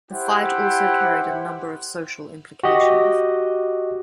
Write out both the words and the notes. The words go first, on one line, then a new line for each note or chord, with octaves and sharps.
The fight also carried a number of social implications.
E4 G4 C5 F#5
F#4 G4 D#5